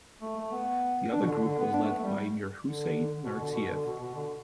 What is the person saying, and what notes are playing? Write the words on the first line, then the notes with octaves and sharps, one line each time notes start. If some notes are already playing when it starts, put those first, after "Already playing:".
The other group was led by Mirhuseyn Narziev.
A3
A3
B3
D4
B2
D3
D3
B3
D4
A3
B3
A3
G3
D3
B2
D3
B2
D3
B2
B2
D3